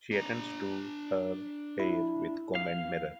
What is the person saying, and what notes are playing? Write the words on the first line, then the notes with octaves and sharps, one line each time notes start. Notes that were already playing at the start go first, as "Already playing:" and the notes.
She attends to her hair with comb and mirror.
D4 A#5
E4
F5